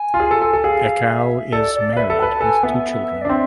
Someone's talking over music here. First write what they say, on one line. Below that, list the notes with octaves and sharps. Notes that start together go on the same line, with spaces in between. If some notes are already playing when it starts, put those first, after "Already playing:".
Ekow is married with two children.
Already playing: G#5
F4
G#4
A4
A4
A4
G#5
G#4 F5
E5
A4 D5
D5
F5
B4 E5
A4
B4 A5
A4 G#5
B3 E5
D5
D4
C4 E5